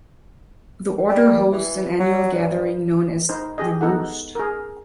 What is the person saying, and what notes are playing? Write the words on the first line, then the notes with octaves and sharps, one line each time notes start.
The Order hosts an annual gathering known as the "Roost".
G3
E3
F#3
G2
D#4 C5
G4 G#4 D#5
B3 D#4 A4 F#5
G#4 A#4